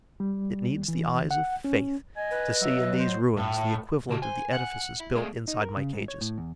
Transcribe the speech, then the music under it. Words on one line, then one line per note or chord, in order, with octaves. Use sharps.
It needs the eyes of faith to see in these ruins the equivalent of the edifices built inside my cages.
G3
E3
F#5
C#4
D#5 G#5
B4
F#3 E5
C5
A2
C#3 F#4 G4 A5
C5 G#5
F#5
E4
A3 A#3 G#4 D5
D#4
A#4
C#3
G#2
C#5
A2
E2